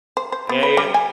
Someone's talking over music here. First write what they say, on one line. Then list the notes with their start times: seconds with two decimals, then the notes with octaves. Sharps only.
Yeah, yeah.
0.17 C5
0.32 C5
0.49 B3
0.63 B4
0.77 G3
0.94 G#5